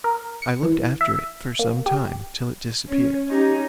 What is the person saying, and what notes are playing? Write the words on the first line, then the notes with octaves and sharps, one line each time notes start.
I looked after it for some time till it disappeared.
A#4
C#7
E3
E5
A#3
G4
C#4
C#4 D#4 G4